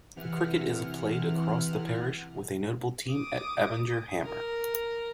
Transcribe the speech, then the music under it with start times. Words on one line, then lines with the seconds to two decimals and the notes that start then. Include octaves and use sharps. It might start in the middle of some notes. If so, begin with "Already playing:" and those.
Cricket is played across the parish, with a notable team at Abinger Hammer.
0.16 C3 E3 F#5 F6
3.09 D6 D#6
4.22 A#4